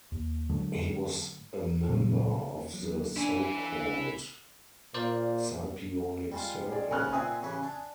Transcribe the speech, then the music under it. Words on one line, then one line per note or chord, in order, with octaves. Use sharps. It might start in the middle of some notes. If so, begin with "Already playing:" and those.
He was a member of the so-called Scipionic Circle.
D#2
G#2 D3 F#3 A3
A#2 C#3 F#3
F#3
D4 E4 G#5
A#2 A#4 C5 D5
G3 G#3 F4
G#4 D5 D#5
G#2 C#3 B3 G#5 F6 F#6
A#2 C4 E5 G#5 D#6
A1 C#3 B4
D4